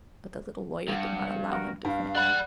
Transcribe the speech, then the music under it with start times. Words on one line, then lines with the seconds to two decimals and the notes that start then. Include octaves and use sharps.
But the little lawyer did not allow him to finish.
0.89 G2 F#5
1.48 F#4 A#4
1.85 G2 F5
2.16 D5 F#5 B5